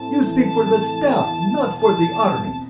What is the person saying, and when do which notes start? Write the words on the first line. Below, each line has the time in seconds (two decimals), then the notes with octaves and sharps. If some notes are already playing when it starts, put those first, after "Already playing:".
"You speak for the Staff--not for the Army!"
Already playing: A2 C4 A5
0.08 A3
0.26 E3
0.42 C4 A5
0.59 A2
0.76 A3
0.93 E3
1.10 E4 A5
1.27 E2
1.45 B3
1.62 B2
1.79 E4 A5
1.96 E2
2.13 B3
2.30 B2
2.47 C4